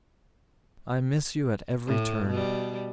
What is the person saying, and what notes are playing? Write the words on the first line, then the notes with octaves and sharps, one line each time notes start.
'I miss you at every turn.
A2
B2 G3